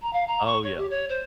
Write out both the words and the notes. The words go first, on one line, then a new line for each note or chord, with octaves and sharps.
Oh, yeah.
A#5
F5
A#5
C#6
C#5
G4
C#5
C5